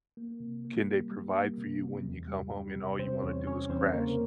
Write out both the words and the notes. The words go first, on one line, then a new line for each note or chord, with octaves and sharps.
can they provide for you when you come home, and all you want to do is crash,
A#3
C3
A#3
G3
G3
A#3
C3
C3
E2
G3
G3
C3
C3 C4 C5
E2 C#4 C#5
C3 C#4 C#5
E2 C4 C5
C#3 A#3 A#4